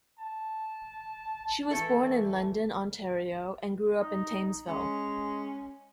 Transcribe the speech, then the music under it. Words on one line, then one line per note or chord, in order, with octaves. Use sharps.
She was born in London, Ontario, and grew up in Thamesville.
A5
E3 A3 E4 A4
D#4
G#3 C#4